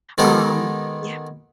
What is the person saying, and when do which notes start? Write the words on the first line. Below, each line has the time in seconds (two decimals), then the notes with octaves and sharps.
Um, yeah
0.18 D#3 G#3 B3 D#4 G4 A4